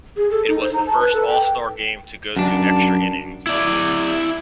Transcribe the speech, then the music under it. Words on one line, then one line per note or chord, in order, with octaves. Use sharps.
It was the first All-Star game to go to extra innings.
G#4
A4
D#4
C5
A#5
A5
B4
A4
G5
F#2 D4
E4 D5